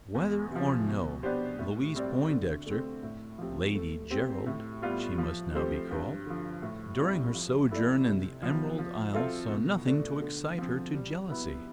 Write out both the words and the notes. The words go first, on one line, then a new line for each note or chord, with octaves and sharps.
Whether or no, Louise Poindexter--Lady Gerald she must now be called-- during her sojourn in the Emerald Isle saw nothing to excite her to jealousy.
E2
C3 F3
B2
B3 D4 G4 C5
A2
G3 C4 G4 D5
D3
A3
C4
A2
F3 C4 G4
A3
C4 G4 C5
A2
G3 B3 F4
F3
A3 C4 G4 C5
G2
D3 F3
A2
G3 C4 E4
F3
B3 E4 A4 D5
C3
F3 B3
F3
C4 F4 A4 E5
B2
A3 D4
D3
F3 C4
G3
B3 E4 B4